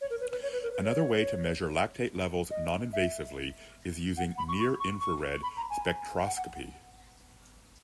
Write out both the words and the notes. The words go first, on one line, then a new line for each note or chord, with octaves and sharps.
Another way to measure lactate levels non-invasively is using Near-infrared spectroscopy.
C#5
A#4
B4
B4
C#5
B4
A#4
B4
C#5
D#5
E5
F#5
B5
C#6
C#6
C#6
C#6
B5
A#5
G#5
F#5
F#5